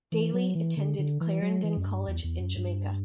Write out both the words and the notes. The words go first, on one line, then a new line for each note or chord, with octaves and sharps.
Daley attended Clarendon College in Jamaica.
E3
F#3
E3
D3
D3
E3
F#3
E3
F#2
G2
E2
E2
F#2
G2